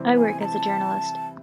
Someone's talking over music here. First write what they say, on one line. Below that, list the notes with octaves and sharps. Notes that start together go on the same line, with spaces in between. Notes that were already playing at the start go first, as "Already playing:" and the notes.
I work as a journalist.
Already playing: C3 E3 G3 C4 E4
G#5
A#5
A5